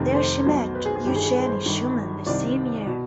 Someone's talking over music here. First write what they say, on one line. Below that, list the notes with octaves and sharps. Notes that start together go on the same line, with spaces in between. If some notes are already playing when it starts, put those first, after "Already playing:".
There she met Eugenie Schumann the same year.
Already playing: F1 F2 C3 D#3
C5
B1 B2
B4
G#4
G#4
G1 G2 D#3 G4
G#4
G#4
B4
C5
G1 G2 D#3
C2 C3 D#3 D5
B2